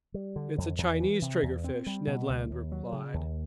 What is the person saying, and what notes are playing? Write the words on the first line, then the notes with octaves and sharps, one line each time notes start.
"It's a Chinese triggerfish," Ned Land replied.
G3
D3
F2
E2
E3
C3
E2
C4
G3
B2
C#2
D#2
F#3
C#3
D#2